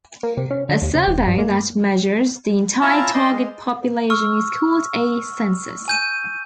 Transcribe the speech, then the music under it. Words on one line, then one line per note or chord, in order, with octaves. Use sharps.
A survey that measures the entire target population is called a census.
A#3
C3
C#4
D3
D#2
C#3
D#1
G2
A#3
C#4 E4 F4 E5 A5 A#5
C5 D5 D#5 C6
G#3
C#6 E6 F6
G#5 G6 D#7